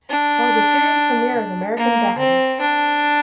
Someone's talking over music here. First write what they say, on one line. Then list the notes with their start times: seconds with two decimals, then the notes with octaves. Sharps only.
While the series premiere of American Dad!
0.10 D4
1.77 A#3
2.19 C4
2.61 D4